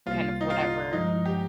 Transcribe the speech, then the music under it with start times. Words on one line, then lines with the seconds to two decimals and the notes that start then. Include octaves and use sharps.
kind of whatever
0.06 C2 C3 G3 A#3 F4
0.41 D#4
0.50 F4
0.93 G2 F3 G#3 D#4
1.26 G4